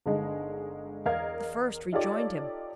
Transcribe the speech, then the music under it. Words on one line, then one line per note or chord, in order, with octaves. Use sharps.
The first rejoined him.
G1 D3 G#3 D#4
E2 A#4 D#5 F5 G#6
D#4 F4 G4 A4 C#5 D5